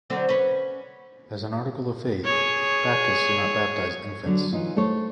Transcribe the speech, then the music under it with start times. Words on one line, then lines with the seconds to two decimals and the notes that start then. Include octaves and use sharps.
As an article of faith, Baptists do not baptize infants.
0.10 D3 F#3 C4
0.29 C#4 B4
2.25 G#4 C#5
4.26 D3 F#3
4.53 E3 C#4 D#4 F4
4.76 A3 A4 C5 C#5